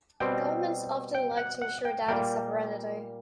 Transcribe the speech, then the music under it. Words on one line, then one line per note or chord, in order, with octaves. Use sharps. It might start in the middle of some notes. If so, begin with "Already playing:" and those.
Governments often like to ensure data sovereignty.
B2 G3 C4 G5
G5
F#5
F#5
G5
A#2 G3 A#3 G5